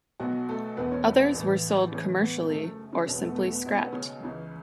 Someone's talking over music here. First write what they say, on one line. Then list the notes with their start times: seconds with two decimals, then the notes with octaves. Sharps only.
Others were sold commercially or simply scrapped.
0.20 B1 B2 F#3 F#4
0.49 A3 A4
0.77 E1 E2 E3 B3 B4
0.91 C#4 C#5
1.06 B3 B4
1.35 A1 A2 E3
1.92 A1 A2 C#3 E3 C#4
2.20 B3
2.49 F#1 F#2 C#3 A3
2.64 A3
2.93 C#3 C#4
3.07 E1 E2 B2 C#4
3.15 B3
3.22 A3
3.29 B3
3.36 A3
3.51 B3
3.65 B1 B2 E4
3.74 C#4
3.84 B3
3.92 C#3 C#4
4.23 C#2 C#3 E3